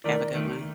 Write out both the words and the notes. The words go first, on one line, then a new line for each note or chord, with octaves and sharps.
Have a good one.
D#2 D#3 A3 A#4 D5
D#2 D#3 A3